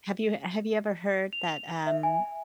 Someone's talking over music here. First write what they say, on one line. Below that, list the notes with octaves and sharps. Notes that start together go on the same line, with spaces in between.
Have you have you ever heard that, um,
F7
E5
G#5